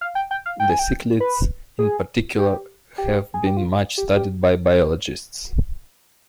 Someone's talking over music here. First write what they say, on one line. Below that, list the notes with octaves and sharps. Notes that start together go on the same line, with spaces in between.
The cichlids in particular have been much studied by biologists.
F5
G5
G5
F5
G5
G#5
G5
B4
G#4
G4
G4
G#4
G4
F4
G4
G4